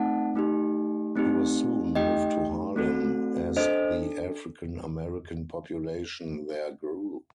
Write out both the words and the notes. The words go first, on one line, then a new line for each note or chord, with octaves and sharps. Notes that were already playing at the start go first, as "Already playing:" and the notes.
He was soon moved to Harlem, as the African-American population there grew.
Already playing: A3 C4 D#4 F#5 A5
A3 D#4 G4
A3 C4 D#4 G4
A3 D#4 G4 D#5 G5
A3 C4 F#4 A4
D4 A4 C5 D#5